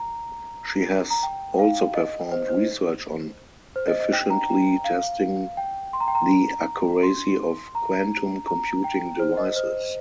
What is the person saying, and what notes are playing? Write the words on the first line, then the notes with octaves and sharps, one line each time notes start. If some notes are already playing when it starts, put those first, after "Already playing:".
She has also performed research on efficiently testing the accuracy of quantum computing devices.
Already playing: A#5
A#5
G5
F5
D#5
C5
C5
C5
D#5
D#5
G5
A#5
G5
F5
G5
C6
A#5
G5
A#5
C6
A#5
A#5
G5
C5
D#5
C5